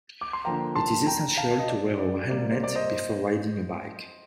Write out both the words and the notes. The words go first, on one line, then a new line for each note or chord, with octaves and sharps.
It is essential to wear a helmet before riding a bike.
D6
C6
D3 F3 A#3 G5 A#5
A5 C6
G5 A#5
F5 A5
D#5
D5
D5
C3 G3 A#3 D5
C5
D5
C5 D#5